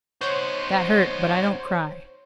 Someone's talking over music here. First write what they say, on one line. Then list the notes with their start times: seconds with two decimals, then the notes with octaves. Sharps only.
"That hurt, but I don't cry."
0.21 D#4 F#4 C5 C#5